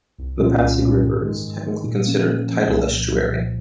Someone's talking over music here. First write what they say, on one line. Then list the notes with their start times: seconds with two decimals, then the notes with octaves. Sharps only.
The Pasig River is technically considered a tidal estuary.
0.18 C2
0.38 A#2 G#3 C#4 F4
0.60 C2
0.80 A#2 G#3 C#4 F4
1.01 G#2
1.22 D#3 G#3
1.43 G#2
1.64 D#3 G#3
1.85 A#2
2.05 F3 A#3 C#4
2.27 A#2
2.46 F3 A#3 C#4
2.67 C2
2.89 A#2 F3
3.10 C2
3.29 A#2 F3